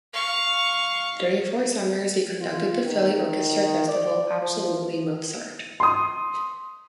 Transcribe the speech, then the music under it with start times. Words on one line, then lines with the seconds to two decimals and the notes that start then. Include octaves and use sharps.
During four summers, he conducted the Philly Orchestra Festival "Absolutely Mozart".
0.13 F5 C#6
2.41 F4
2.84 D#3
3.88 D5
4.42 F3
5.80 C6 D#6